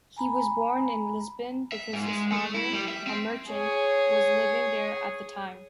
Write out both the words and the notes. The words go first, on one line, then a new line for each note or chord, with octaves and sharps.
He was born in Lisbon because his father, a merchant, was living there at the time.
G#5 A#5 B5
E5
G#2
G#3
A3
E4
G3
E5
C4
G#4 C#5